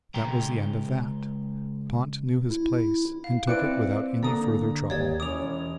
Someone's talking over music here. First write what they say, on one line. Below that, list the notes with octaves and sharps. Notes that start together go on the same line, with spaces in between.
That was the end of that, Pont knew his place and took it without any further trouble.
C#2 G#3 G5 A#5
E4
F5
C4 E4 B4 D5 D6 F#6 C#7 D7
D3 A#3 D5 A#5 D#6
D#2 A#3 G4 C#5 D5 G#6
E1 C#4 D6 D#6 F7